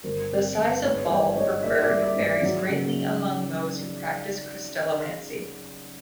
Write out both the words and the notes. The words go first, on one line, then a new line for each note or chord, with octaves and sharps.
The size of ball preferred varies greatly among those who practice crystallomancy.
G1 A#4 C5
C3
G1
G#2 B4 C#5
G3 C5 D5
G#2 C#5 D#5
A#3 D5 E5
D5 E5
G3
D5 E5
G#2
D5 E5
F#3
C#3